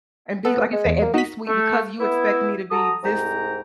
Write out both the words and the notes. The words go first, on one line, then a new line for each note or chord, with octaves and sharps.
And be, like you say and be sweet because you expect me to be this
B3 A4
G#3
E2
A#3
D#4 F#4 B6
A3
B3 E4
F#4 A4 A#5 D#6
C2 G#2 G5 A#5